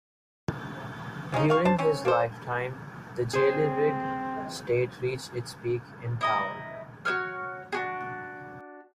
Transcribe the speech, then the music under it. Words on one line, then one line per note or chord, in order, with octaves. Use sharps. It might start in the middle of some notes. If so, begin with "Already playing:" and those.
During his lifetime, the Jalayirid state reached its peak in power.
F3 G#3 C#4 D#4
G3 F5 C#6
D4 C5 A5
C4 C#4 C#5
A#3 A4 C5
C4 G#4 C5
E4 D#5 A#5
F#4 C5 C#5 F6
D4 F#4 G#4